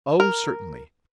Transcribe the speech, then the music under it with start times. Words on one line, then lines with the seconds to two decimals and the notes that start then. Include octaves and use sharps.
'Oh, certainly.
0.20 A#4